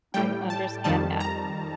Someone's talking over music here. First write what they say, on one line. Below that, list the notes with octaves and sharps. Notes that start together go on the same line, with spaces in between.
I understand that.
A2 G3 G5
A5
F2 D#3 G3 A5
A#5